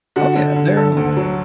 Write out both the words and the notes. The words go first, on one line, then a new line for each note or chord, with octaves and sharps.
Oh, yeah, they're, um,
D3 F#4
D3
D3
D3 A4
D2
F#3